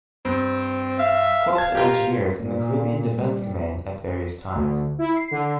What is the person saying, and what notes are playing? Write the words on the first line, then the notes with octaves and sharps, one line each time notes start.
Corps of Engineers and the Caribbean Defense Command at various times.
G2 C4
E5 F5
A5 G#6
F4 G4 A#4
A#2
G3
D2
E4
C7
D3